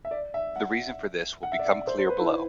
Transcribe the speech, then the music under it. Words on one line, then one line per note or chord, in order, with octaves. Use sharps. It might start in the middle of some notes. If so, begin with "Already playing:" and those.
The reason for this will become clear below.
E5
D5
E5
F#5
F#5
E5
D5
E5
C5
C5
B4
E4
E4